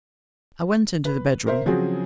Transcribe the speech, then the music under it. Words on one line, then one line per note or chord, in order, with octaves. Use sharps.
I went into the bedroom.
B4
A#4 C5 E5
C#3 F3 F#3 C4 F#4 G#4